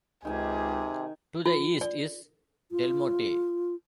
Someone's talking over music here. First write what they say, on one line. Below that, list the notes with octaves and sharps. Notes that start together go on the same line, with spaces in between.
To the east is Delmotte.
C#2 C3 D#3 G#4 G#5
F4
D5
F4